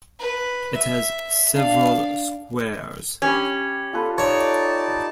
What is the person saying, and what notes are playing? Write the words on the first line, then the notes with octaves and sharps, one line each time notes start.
It has several squares.
B4
E5
D4 F5
C#4 G4 B5
F4 A4 B4
D#4 C#5 D5 A5